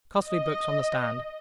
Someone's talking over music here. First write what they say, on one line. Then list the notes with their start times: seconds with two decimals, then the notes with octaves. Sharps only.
Costly books on the stand.
0.24 D#5